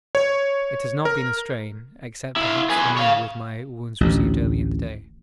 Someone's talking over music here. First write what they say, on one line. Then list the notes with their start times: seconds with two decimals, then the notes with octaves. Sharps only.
It has not been a strain, except perhaps for me with my wounds received early in the day.
0.15 C#5
1.05 A#4
2.37 E4 F5
2.70 G#4 B4
2.97 C#5 F5
4.01 A1 D2